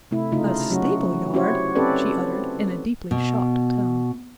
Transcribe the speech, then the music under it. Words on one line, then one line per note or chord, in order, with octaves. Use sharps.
"A stable-yard!" she uttered, in a deeply shocked tone.
C3 A3 E4
C#3 A3 D#4 F4
F#3 C#4 F#4
C#4 E4 F#4 G4 C5 C#5
C4 C#4 G4 A4 B4 D5
B2